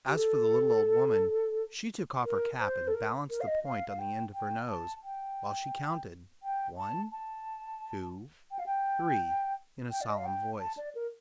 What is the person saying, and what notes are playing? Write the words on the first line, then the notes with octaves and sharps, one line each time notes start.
As for the little old woman, she took off her cap and balanced the point on the end of her nose, while she counted "One, two, three" in a solemn voice.
G4
A4
A#4
C5
A4
A#4
A#4
F5
D#5
F5
F5
G5
G5
A5
G5
G5
A5
A5
G5
F5
G5
G5
D5
D#5
F5
G5
A5
D5
A#4